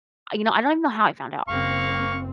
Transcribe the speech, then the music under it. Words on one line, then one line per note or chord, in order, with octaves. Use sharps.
you know, I don't even know how he found out
F#1 A#3 C4 F5 C#6